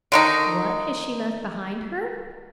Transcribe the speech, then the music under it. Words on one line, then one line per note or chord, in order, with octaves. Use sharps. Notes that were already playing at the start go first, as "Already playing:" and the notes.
What has she left behind her?
D3 D#3 D#4